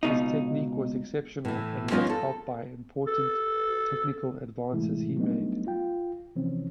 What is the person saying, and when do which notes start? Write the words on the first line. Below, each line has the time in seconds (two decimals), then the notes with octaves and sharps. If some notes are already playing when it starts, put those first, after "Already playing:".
His technique was exceptional, and was helped by important technical advances he made.
0.03 C#2 B2 D#4
1.45 A2 E3
1.91 F3 A#3 B3 C#4 D#4 F4
2.10 A4
3.07 A4
4.72 A2 C3 E3 G#3 A3 E4
5.17 F#3 G3 A3 B3 D4 D#4
5.67 F4 G5
6.36 C3 E3 F3 C4 C#4